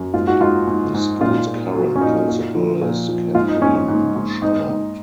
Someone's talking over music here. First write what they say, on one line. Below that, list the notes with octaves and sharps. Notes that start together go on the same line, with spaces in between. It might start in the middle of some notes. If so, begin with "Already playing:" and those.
The school's current principal is Kathleen Bouchard.
Already playing: F#2
G#2 F4
F#4
G#2 F4
G#2
G#2
A#2 F4
A#2
F#3
C#4
A#2 D#4
A#2
F3
A#2
F3
G#2 F4
D#4
G#2 C#4
C#4
G#2
G#2
G#2 D#4
G#2